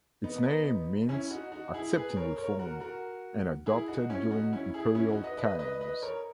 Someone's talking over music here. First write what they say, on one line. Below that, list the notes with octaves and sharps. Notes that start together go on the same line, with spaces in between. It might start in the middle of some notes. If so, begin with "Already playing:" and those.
Its name means "Accepting Reform" and adopted during imperial times.
B3 D#4
C#4 E4
D#4 F#4
D#4 F#4
E4 G#4
G#4 B4
A#4 C#5
A#4 C#5
F#4 A#4
F#4 A#4
E4 G#4
D#4 F#4
C#4 E4
D#4 F#4
C#4 E4
E4 G#4
C#4 E4
D#4 F#4
B4 D#5
B4 D#5
B4 D#5
B4 D#5
A#4 C#5